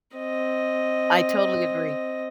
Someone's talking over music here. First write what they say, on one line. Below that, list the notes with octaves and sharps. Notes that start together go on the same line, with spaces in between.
I totally agree.
C4 D#5